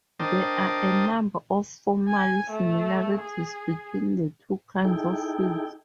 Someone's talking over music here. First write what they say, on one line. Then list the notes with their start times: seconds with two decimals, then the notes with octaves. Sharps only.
There are a number of formal similarities between the two kinds of fields.
0.20 D4 A#4 C5 D#5 G5 A5
2.09 G#5
2.50 A3
3.18 G#4
4.85 D#4 E4 G#4 A4 G5